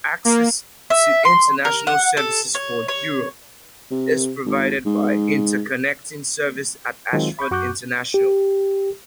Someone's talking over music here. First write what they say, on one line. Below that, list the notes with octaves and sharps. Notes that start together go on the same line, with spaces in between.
Access to international services for Europe is provided by interconnecting service at Ashford International.
A#3
E5
C6
A#4
F#5
A4
C#5
C#5
C3
G#1
G#2
D#3 F#3 G#3 C4 F4
B5 C#6 G6
F#2 F#4 C#6 D6 F#6 G6
G4